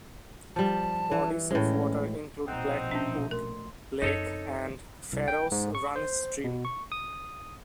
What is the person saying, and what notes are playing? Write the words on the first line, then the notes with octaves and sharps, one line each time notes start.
Bodies of water include Blackwood Lake and Farrows Run stream.
F3 G3 A5
E3
A2 G#3 C#4
A#1 B2 C4 D#4 D#5 F#5 F#6
C#4 D4 E5
A3 A#4 C6
F#2 C4 D#4 A4 C#5
C2
G5
G#2
C#6
C5
B2
C#6
D#6